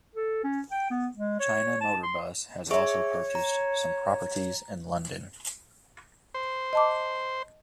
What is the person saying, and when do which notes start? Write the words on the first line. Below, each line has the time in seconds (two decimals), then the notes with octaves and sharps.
China Motor Bus has also purchased some properties in London.
0.16 A4
0.44 C#4
0.72 G5
0.91 B3
1.16 G#3
1.40 C#5
1.81 A5
2.03 C6
2.71 G#4 C#5 E5 C#6
3.35 A#5
6.34 C5
6.73 D#5 A5 D6